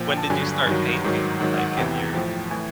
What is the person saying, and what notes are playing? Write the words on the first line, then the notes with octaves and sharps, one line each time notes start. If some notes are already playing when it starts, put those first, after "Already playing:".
When did you start painting, like, in your,
Already playing: A#2 F3 G5
A5
G2 D3 F#3 G#5
G2 D#3 F#3
G#2 D#3 F#3
G#2 D#3 F#3 F#5
F#5
E2 C3 E3 G5
A2 F3
A2 E3 G#5